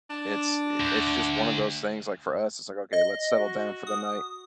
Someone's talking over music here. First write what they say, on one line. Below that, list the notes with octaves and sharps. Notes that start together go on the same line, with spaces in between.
it's i it's just one of those things, like for us, it's like, "Okay, let's settle down for the night.
D4
D2
D#5
F#4
D#6